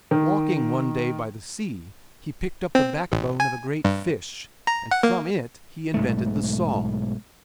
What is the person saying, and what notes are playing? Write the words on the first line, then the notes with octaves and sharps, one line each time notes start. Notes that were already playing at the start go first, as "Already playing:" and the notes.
Walking one day by the sea, he picked up the backbone of a great fish, and from it he invented the saw.
D#3
C4
A1
G#5
G2
A#5
F#5
A#3
B1 G#2 A3